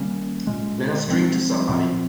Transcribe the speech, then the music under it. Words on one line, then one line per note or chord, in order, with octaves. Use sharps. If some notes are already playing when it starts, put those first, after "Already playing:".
Let us drink to somebody.
Already playing: D#3 G3 A#3 C#4
A#2 G#3 C#4
F3 G#3 C4
A#2 F3 C4